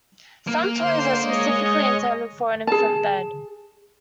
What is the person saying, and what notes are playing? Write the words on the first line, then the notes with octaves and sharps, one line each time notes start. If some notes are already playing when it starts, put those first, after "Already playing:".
Some toys are specifically intended for an infant bed.
A#3
D3 C5 C6
G#3 C#5 D#5
G#4 A5